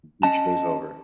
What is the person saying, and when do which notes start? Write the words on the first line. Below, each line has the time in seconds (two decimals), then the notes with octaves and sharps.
Beach day's over.
0.23 C#4 D#5 A5